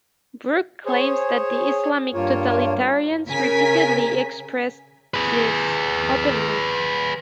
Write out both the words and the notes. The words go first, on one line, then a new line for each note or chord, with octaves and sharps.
Brook claims that the Islamic totalitarians repeatedly express this, openly.
G#4 C5 C#5
G2 A#3 F4 C#5
C#3 A#4 G#5 B6
G#4 B4